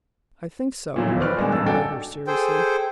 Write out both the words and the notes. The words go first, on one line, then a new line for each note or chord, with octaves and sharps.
"I think so," replied the other seriously.
A#2 D#3 F3 F#3 E4
E1 D#2
B4 C5 D5 C#6 D6 F6
A#2 G3 G#3 D4
A1 G2 E6 A6
D#4 F#4 A4 D5 G5 G#5
G#4 A4 C5 G5